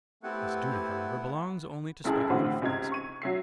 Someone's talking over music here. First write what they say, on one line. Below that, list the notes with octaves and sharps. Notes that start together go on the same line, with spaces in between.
This duty, however, belongs only to speculative philosophy.
A3 B3 C4 E4 G4 B4 F#5
F1 C#2 F#2 E4 G#4 A5
A2 D3 E3 C4 F4 F#4
C#2 C3 D#4 G#6
C#6 D#7
F#3 E5 C7